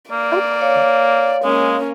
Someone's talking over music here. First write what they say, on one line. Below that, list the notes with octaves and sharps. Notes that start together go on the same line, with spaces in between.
Oh, core.
A#3 D5
C#5 F5
G#3 A#3 C#4